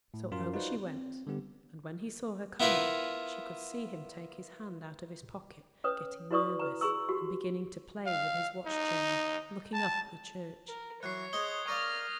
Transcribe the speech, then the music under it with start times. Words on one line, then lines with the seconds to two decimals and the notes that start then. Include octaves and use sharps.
So over she went and when he saw her coming she could see him take his hand out of his pocket, getting nervous, and beginning to play with his watchchain, looking up at the church.
0.14 A2
0.31 F#2 C#4 F4 F#4 A#4 C6
0.54 D#4 F4 F#4 B4 C5 D5
0.87 C4
1.27 D3 G3 B3 G4
2.60 B3 E4 F4 A#4 B4
5.84 C#4 B4 C#5 D#6
6.31 E4 F#4 B4 D5 C#6 D#6
6.60 B4 A#5
6.81 G#4 A#5 C#6 E6
7.09 F#4 G4
8.07 F5
8.67 D#4
9.73 A5
10.68 A#4
11.03 E3 F#3 C#5 F#6 C7
11.33 D#4 G#4 C5 D#6 G#6 G7
11.68 A#4 D5 F5 C#6 F6 A#6